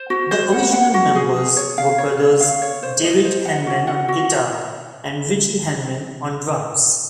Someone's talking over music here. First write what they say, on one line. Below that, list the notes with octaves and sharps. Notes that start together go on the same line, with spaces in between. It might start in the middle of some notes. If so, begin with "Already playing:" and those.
The original members were brothers David Henman on guitar and Ritchie Henman on drums.
Already playing: C5
F#4
C5
F#5
F#5
F#4
G#4
G#4
C#5
F5
C#5
C#5
F5
C#5
C5
D#5
C5
F#5
F#4
F#5
F#4